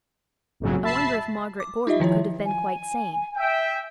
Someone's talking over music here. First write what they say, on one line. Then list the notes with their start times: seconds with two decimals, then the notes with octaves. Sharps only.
I wonder if Margaret Gordon could have been quite sane.
0.60 A#1 F2 G#2 C#3 F#3
0.84 E5 A5 B5 C7
1.60 D6
1.87 D#4 F4 G4 D#5 E5
2.00 D#3 F3 E4 C#5
2.45 G#5
3.37 E5 G5